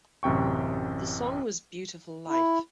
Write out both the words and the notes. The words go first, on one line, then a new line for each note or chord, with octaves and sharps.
The song was "Beautiful Life".
A1 F#2 C3 G5 C#6
E4